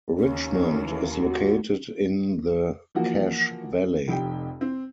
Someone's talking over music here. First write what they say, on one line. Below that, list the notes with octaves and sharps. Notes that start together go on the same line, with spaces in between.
Richmond is located in the Cache Valley.
D#2 C#4
E3
F#4
E3 F3 A#3 F#4
F1 F2 G4 G5
C4